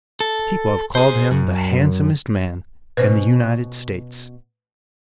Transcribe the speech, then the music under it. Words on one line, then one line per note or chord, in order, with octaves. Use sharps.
People have called him the handsomest man in the United States.
A4
G#4 C5
F#2
B2 C#4 B4 C5